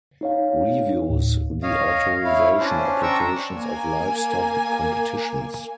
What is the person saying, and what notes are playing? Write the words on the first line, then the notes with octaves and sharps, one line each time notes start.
Reviews the authorization applications of livestock competitions.
D#4 C#5 F5
D2 A2
C#5 D#5 F5
E4 C#5 F5
C#4 D4 C5
D4 G5 A#5 C#6 E6
A#3 G#5